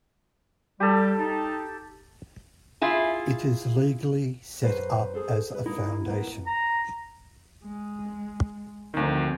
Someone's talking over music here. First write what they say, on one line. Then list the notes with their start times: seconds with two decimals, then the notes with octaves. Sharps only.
It is legally set up as a foundation.
0.80 G3 G4 A4
1.18 D#4 A5
2.81 E4 F4 G#4
4.62 F#2 B4 C5
5.14 G#4 A4 C5
5.50 G#4 B4
5.66 A#3 D#4 E4
6.06 A#3 B3
6.47 A#5
7.65 G#3
8.94 D2 D#3 F3 C4